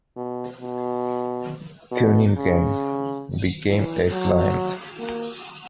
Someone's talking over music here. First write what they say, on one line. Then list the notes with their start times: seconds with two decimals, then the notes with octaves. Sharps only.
Cunningham became a client.
0.16 B2
0.61 B2
1.92 B2
2.36 C#3
3.67 E3
4.13 F#3
4.99 A#3